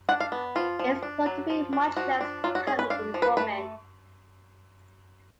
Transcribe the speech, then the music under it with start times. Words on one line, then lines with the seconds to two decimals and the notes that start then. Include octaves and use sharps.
It is thought to be much less common in women.
0.09 D4 F#5
0.20 F5
0.32 B3
0.55 F3 F4
0.79 F3
1.03 D4
1.26 F#3
1.50 F3
1.73 D4
1.97 F3 F#4
2.21 D4
2.44 F#3 F4
2.55 F#4
2.67 C#4 G#4
2.79 B4
2.90 D4 F5
3.14 F3
3.22 B4
3.37 A3 B4